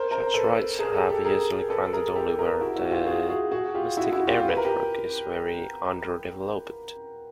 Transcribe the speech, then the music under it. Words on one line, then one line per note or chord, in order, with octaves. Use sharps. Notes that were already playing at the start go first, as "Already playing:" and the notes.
Such rights have usually granted only where the domestic air network is very underdeveloped.
Already playing: A#4 C5
A#4 C5
A4 B4
G#4 A#4
G4 A4
G4 A4
G#4 A#4
A4 B4
G#4 A#4
G4 A4
G#4 A#4
E4 F#4
E4 F#4
F4 G4
F#4 G#4
F#4 G#4
F#4 G#4
F4 G4
E4 F#4
E4 F#4
F4 G4
B4
A#4
G4